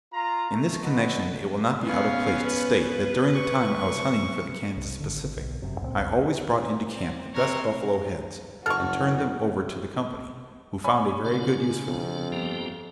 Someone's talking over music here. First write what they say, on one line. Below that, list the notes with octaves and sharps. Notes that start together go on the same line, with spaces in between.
In this connection it will not be out of place to state that during the time I was hunting for the Kansas Pacific, I always brought into camp the best buffalo heads, and turned them over to the company, who found a very good use for them.
F4 A#5
A3
F#4 A4 B4 D#5
B3 C#4 F5
B4
C#6
C2
G#1 D3
B1
F#1 F#2 C3
C#2 A#2 A3 C4
B1 E2
C4
C4 A#4 C#5
F#1 F#4 A4 C#6 F6
C#5 G#5 B5
C#3 D4 F4
F2
G1 F3 A#3 G4